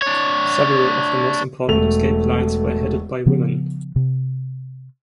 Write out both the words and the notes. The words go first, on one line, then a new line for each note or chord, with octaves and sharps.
Several of the most important escape lines were headed by women.
D4 C#5
E1 A3 F7
C#3 F3 B3
C3